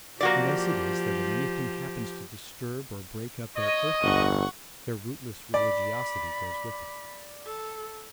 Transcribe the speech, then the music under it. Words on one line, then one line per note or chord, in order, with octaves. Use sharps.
And thus it is that when anything happens to disturb or break up their earthly home their rootless religiosity goes with it.
F3 A#3 F#4 G4 D5
C#5 D#5
G1 F#5 C#6
D5 B5
A4